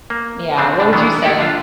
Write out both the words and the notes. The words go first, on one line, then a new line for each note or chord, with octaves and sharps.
Yeah, what would you say?
A#3
D3 C4 D4
B2 D4
D#3 E3 B3 D4
E4 G4 A4 D5
D3 D4 F4